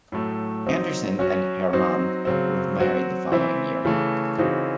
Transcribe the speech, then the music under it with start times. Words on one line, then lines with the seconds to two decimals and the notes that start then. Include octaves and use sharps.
Anderson and Herrmann were married the following year.
0.12 A2 F#3 A3
0.67 F#3 C4 D#4
1.19 F#3 C#4 F#4
1.73 F#3 C4 D#4 F#4
2.25 C#3 F#3 C4
2.79 F#3 C4 F#4
3.32 E3 C4 E4
3.85 C#3 E3 A3
4.38 C#3 E3 C4 D#4 F#4